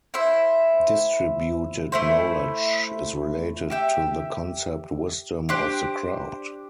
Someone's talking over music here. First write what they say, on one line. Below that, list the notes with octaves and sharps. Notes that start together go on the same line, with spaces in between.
Distributed knowledge is related to the concept Wisdom of the crowd.
E4 C5 E5
A3 E4 C5
G4 E5 G5
D4 G4 C5